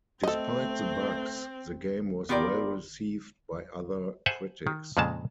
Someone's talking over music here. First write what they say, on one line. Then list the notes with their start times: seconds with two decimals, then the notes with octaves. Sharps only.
Despite the bugs, the game was well received by other critics.
0.23 A3 C4 A4 D#5
2.29 B3 F4 G4 A#4 D5
4.26 C5 E5 F#5 G#5 A5
4.67 D#3
4.97 F2 A#2 C#3 G#3 A5